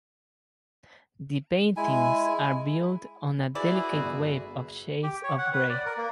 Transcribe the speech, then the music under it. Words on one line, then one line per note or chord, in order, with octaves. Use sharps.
The paintings are built on a delicate web of shades of grey.
G#3 E4 G#5
E3 E4 F#4 G#4 D5
G1
G4
C#5
F#5
B4
D5
A#4
A#3